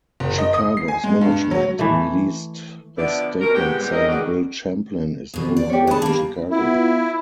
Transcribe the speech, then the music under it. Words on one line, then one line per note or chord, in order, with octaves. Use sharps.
Chicago's management released a statement saying Bill Champlin is no longer in Chicago.
F#1
D#5
D#6
C7
G#5
G#3
G2
F#3
E3 A3
D3 F3 B3 E4 D5
B2 A#4
A2 G#3 B3 G4
G3 G#3 B3 C4
F2 D3 C#4 A#4 D#5
D#3 G3 B3 F#4 G#4 D5
D#2 B2
D5
G4 C#5
D4 G#4 A5 B5
G3 A#3
B3 E4 F4